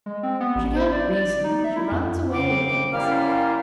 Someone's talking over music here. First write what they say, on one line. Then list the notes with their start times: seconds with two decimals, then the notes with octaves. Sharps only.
She can't reason; she runs away with things.
0.06 G#3
0.23 C4
0.40 B3
0.55 A1
0.76 C5
0.92 D5
1.15 D5
1.44 D#4
1.64 E5
1.76 E4
1.92 F2
2.32 C#3 C4 D6
2.92 F#2 G3 A#3 C#4 E4 F5 F6